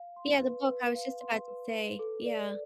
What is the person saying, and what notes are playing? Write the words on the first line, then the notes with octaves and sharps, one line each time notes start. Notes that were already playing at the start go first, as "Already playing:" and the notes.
Yeah, the book, I was just about to say, yeah.
Already playing: F5
C6
B4
B4
F5
C6
B4
B4
A4
D5